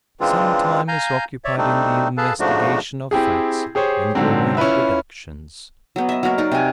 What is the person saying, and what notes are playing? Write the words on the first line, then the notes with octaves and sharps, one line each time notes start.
Some time is occupied in the investigation of facts, and drawing deductions.
C#3 E3 G#3 C4 D4 F4
F5 G#5 A#5 G6
C#5 D5 E5
G3 A3 C4 D4 D#4
G#4 A4 B4 F5 A5
G#2 C#3 F3 A3 D4 F#4
C4 E4 G4 G#4
G4 G#4 C5 C#5
G#2 D3 F#3 C4
C#4 E4 F4 B4 E5
F#3 B3
D#5 E5
F#3 A#3 F#4 A#4
D#4 D5
C3 G#5